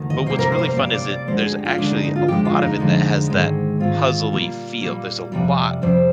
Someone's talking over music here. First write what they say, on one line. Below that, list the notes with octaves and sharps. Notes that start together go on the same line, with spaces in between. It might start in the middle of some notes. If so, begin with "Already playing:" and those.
but, what's really fun is it there's actually a lot of it that has that puzzle-y feel, there's a lot
Already playing: D2 D#3
D#5
C3 G3 A#3 C5
A#4
C5
A#4
C5
C3 G3 A#3 D5
D5
D5
D2 D3 G#3 C5
G#4
G4
F4
D2 D3 G#3 D4
D#4
D#4
F4
F2 D3 G#3 G4
F4
D#4
F2 D3 G#3
G#2 D#3 G#3 C4
G#2 D#3 G#3 C4 F4
A#2 G3 A#3
A#2 G3 A#3
F2 C3 G3
F2 C3 G3 C5